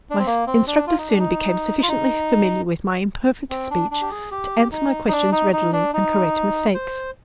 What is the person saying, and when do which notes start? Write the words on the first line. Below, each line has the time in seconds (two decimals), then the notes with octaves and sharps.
My instructors soon became sufficiently familiar with my imperfect speech to answer my questions readily and correct mistakes.
0.10 D4
0.19 C4
0.26 A#3
0.47 C4
0.67 D4
0.87 F4
0.98 D#4
1.08 D4
1.19 D#4
1.83 F4
1.88 D#4
3.51 C4
3.71 D4
3.91 D4
4.02 G4
4.11 G#4
4.31 G4
4.72 D#4
5.08 D#4
5.12 D4
5.32 D#4
5.53 D#4
5.73 D4
5.94 D#4
6.74 C5